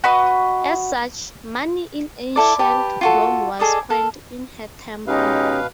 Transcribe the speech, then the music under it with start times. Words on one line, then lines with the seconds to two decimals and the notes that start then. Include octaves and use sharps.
As such, money in ancient Rome was coined in her temple.
0.04 F#4 B4 D#5
2.36 E4 A4 D5
2.59 G4 B4 A5 B5
3.01 F4 F#4 A4
3.59 G#4 A4 D5 D#5
3.90 A4 F5
5.07 B2 G#3 C#4 D#4 G4 B4 F5